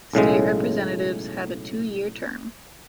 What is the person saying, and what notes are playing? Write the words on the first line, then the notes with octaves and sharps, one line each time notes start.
State Representatives have a two-year term.
B1 A2 C#3 G#3